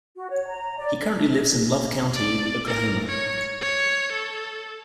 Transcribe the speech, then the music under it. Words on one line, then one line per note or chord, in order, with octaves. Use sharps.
He currently lives in Love County, Oklahoma.
F#4
C#5
A#5
D5
D5
A#4
C#5
C#5
A4